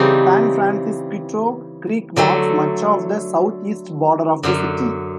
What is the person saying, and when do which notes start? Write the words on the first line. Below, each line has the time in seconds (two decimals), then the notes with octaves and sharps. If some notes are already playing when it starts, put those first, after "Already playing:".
San Francisquito Creek marks much of the southeast border of the city.
Already playing: C#3 E3 G3 C4 D#4
2.16 D3 F#3 A3
4.43 F#2 D3 F#3